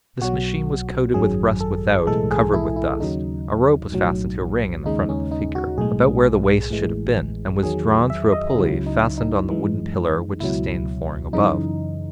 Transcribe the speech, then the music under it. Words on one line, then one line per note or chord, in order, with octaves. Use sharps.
This machine was coated with rust without, and covered with dust; a rope was fastened to a ring in the front of the figure, about where the waist should have been, and was drawn through a pulley, fastened on the wooden pillar which sustained the flooring above.
B1 B2 F#3 F#4
G#1 F#2 D#3 F#3 G#4
A4
B1 A2 E3 G#3 A4
G#4
E4
E4
D#2 C#3 F#3 D#4
B1 A2 F#3
D#2 C#3 G#3 D#4
C#4
D#4
F#4
B1 A2 G#3 G#4
A1 A2 E3 G#3
E2 D#3 F#3 G#4
E5
D#5
C#2 C#3 F#3 E4
D#4
D#4
F#2 E3 G#3
C#2 B2 F#3 E4
F#2 C#3 E3 D#4